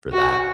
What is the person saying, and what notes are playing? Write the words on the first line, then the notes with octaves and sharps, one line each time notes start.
for that?
F#4